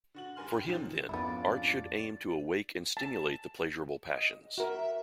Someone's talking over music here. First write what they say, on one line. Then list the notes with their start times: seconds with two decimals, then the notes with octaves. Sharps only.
For him, then, art should aim to awake and stimulate the pleasurable passions.
0.14 D3 F#4 F#7
0.36 G2 D3 A#4 G#5 C6 F6
0.53 G5
0.67 A#2 D3 D#3 F3 F#3
1.09 F2 G#2 B3 C#4 D4 E4 F4 D5
2.97 A5
4.14 D#5
4.58 F#4 A#4 E5